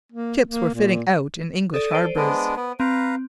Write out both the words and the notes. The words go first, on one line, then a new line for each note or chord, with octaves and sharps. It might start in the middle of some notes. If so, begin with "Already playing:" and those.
Ships were fitting out in English harbours.
A#3
A#3
A#2
A4 D5 D#6
A4 C5 D7 D#7
G#3 B3 D4
B3
C4 B4 F5 A#5